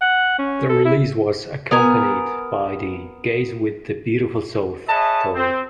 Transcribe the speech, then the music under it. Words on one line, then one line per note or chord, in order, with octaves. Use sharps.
The release was accompanied by the "Gaze With The Beautiful South" tour.
F#5
C#4
A4
E4
B3 A#4 G#5
G#4 B4 C#5 D#5 E5 A5
C4